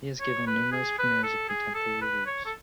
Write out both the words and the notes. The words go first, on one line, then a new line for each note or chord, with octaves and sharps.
He has given numerous premieres of contemporary works.
C#5
B4
G#4
B4
A4
G#4
A4
B4
C#5
A4